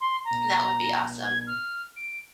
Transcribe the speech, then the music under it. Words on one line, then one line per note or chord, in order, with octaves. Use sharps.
That would be awesome.
C6
A#5
G#6
F6
D7